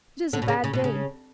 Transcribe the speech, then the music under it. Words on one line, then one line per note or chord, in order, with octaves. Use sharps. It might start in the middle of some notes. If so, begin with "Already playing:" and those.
'It is a bad day.
D3
B2
C#3
C#3
B2
C#3